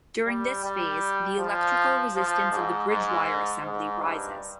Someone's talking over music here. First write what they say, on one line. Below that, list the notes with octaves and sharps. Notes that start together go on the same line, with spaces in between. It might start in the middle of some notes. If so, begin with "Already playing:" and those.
During this phase the electrical resistance of the bridgewire assembly rises.
G3
G3
F3
F3
G#2
G#2
G#2
G2